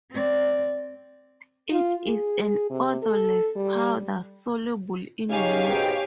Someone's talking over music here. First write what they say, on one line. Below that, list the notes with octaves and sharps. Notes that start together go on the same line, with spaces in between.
It is an odorless powder soluble in water.
C4 D5
F4
G#4
C3
A4
G3
C#3 C#4 D#4 G4 C#5 F5 G#5
G#2 B2 G5